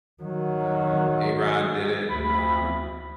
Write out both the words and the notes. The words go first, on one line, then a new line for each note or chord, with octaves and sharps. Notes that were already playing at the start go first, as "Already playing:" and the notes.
uh, A-Rod did it, um,
D#3 F#3
D2 B5